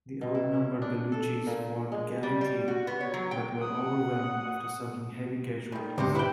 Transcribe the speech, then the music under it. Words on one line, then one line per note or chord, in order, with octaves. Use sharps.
The out-numbered Baluchis fought gallantly but were overwhelmed after suffering heavy casualties.
B2
E4
C#4
D4
A4
A#2
G#3
G3
G3
F#4
B3
C#5
F#3
G5
F#5 D#6
D#3 G3
D2 G#2 C3 F#4 G4
E4 B4 G5